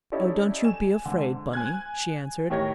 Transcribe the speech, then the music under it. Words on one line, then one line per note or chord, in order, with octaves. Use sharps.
"Oh, don't you be afraid, Bunny," she answered.
C#4 D#4 E4 G4 A4 D5
G#5 E7
G#2 D3
G#5 F#6 G#6
A2 D#3 G4 C#5 G#6 A#6